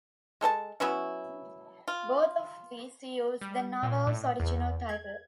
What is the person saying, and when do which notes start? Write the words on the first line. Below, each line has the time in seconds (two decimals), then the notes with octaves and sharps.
Both of these used the novel's original title.
0.41 G#3 A4 C5 A5
0.80 F#3 B3 C#4 E4
1.88 F4
3.41 G3
3.83 A#2
4.07 A2
4.40 E2
4.89 G#6